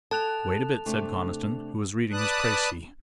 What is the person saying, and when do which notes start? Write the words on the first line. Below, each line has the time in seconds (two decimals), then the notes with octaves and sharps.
"Wait a bit," said Conniston, who was reading his precis.
0.11 A4 G5 A5 F#6 F7
0.86 C3 A3 D4
2.11 B4 D5 A5 D#6 F#6